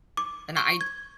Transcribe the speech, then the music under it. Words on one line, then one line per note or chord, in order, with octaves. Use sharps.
and I'd
D6
C#6
G#6